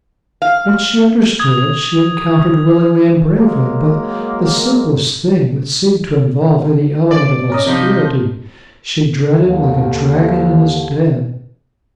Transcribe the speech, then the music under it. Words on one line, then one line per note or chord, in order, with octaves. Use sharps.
What she understood, she encountered willingly and bravely; but, the simplest thing that seemed to involve any element of obscurity, she dreaded like a dragon in his den.
F5
D#6 G#6
F#3 G#3 A#3
D5
C#4 A#4 D#5
C3 F3 D#4 G6
D#2 D3